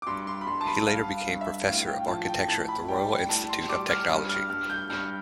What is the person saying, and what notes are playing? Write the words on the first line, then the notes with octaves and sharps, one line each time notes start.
He later became professor of architecture at the Royal Institute of Technology.
D6
G2 C6
C6
B5
G2 C6
A5
B5
G2 F5
G2
E5
A2 F5
G5
F3 A5
G5
A2 A5
B5
G3 G5
G5
A2 A5
C6
G3 D6
F6
G2
F6
G2 F6
G6
G2 F6